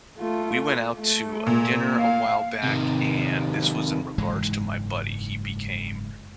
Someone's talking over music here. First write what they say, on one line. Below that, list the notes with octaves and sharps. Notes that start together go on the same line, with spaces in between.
We went out to a dinner a while back and this was in regards to my buddy, he became,
A3 F4
A3
A#2
F5
C3 D#3
F#1 G#2 E3 G#3